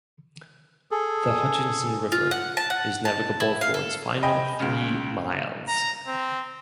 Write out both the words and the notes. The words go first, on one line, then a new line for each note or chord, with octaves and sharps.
The Hutchinson river is navigable for its final three miles.
G#4 A4
F4
F#5
A5
F#5
A5
E4
F5
A4
D#5 G5 G#5 B5
C#2 C#3
A#5
C4